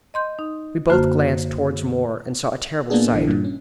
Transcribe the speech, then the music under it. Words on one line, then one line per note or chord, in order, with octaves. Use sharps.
We both glanced toward Moore, and saw a terrible sight.
D#5 C6 G6
D#4
F#2 D3 A#3 F#4 C5 F6
A#2 A#3 B3 D4 G#4
A#1 D3 E3
G2 A#2
C#4